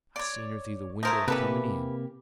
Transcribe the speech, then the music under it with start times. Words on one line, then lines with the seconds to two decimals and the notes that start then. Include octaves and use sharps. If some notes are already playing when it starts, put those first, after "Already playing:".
I seen her through the window a-comin' in.
0.16 C#5 D5
1.03 A3 E4 A#4 C5 D#5
1.28 C3 E3 A#3 G4 A4 B4